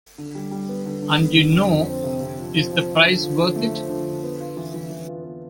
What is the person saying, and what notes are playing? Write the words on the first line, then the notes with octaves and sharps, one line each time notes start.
And, you know, is the price worth it?
D3
G3
G3
B3
D3
D3
B3
D3
F2
F2
C4
C3
C3
F3
F3
F3
F3
D3
F3
D3
A3
F3
D3
D3
B3
F4
E3
E3
E3
F4
B3